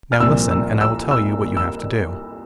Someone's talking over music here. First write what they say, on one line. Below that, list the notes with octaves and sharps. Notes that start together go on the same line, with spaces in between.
'Now listen, and I will tell you what you have to do.'
F6
C2 A#2 F3 E6
E6
E6
E6
E6